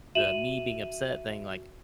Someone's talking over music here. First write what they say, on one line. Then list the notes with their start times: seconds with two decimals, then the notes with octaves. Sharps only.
the me-being-upset thing, like,
0.15 F#4 E5 D#7 E7 F#7